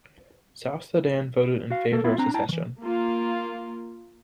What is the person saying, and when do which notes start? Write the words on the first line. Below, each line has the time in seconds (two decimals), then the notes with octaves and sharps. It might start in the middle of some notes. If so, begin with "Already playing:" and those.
South Sudan voted in favour of secession.
1.70 F#4 F5
1.92 A#3 A4 A#4
2.04 B3 E4 F4 E5
2.18 C4 D4 A#5
2.34 E4 G5 A5 A#5
2.49 D#3 E3
2.81 A#3 F4